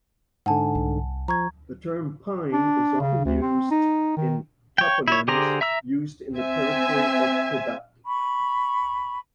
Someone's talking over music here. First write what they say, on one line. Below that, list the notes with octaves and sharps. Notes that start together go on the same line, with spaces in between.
The term "pine" is often used in toponyms used in the territory of Quebec.
G#2 D3 F#5 G#5 A5
C2
F3 A#5 C#6 G#6
D4
C#3
D2
C4
D#4
D#3
C#5 G5
E4 C#5
D3 G4 G#4 C5 A#5
E5 A#5 E6
C4 E5 G#5
B5 C#6